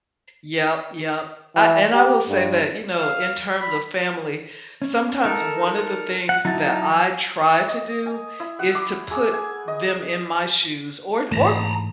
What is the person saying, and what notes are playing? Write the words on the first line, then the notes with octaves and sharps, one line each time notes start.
Yep. Yep, uh, and I will say that, you know, in terms of family, sometimes one of the things that I try to do is to put them in my shoes, or t or
E3
G4
G2
F5
B5
C#4
D#4 A4 A#4
F#5
F#3 D#4 E4 F#4 A5
D#5
G#5
E4
F#5
D6
G#4
G#5
D#5
G#2 E3 A3 A5 A#5